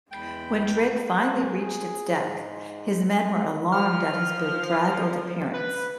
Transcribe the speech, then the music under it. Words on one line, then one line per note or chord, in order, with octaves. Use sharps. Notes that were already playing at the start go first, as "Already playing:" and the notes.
When Drake finally reached its deck, his men were alarmed at his bedraggled appearance.
E2 G#3 G5 B5
G#4
G#2
F3 F6
B4